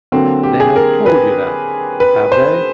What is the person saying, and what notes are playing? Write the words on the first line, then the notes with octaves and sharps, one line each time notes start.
They have told you that, have they?
D3 F#3 A#3 C4
G4
G#4
A#4
B4
B4
C5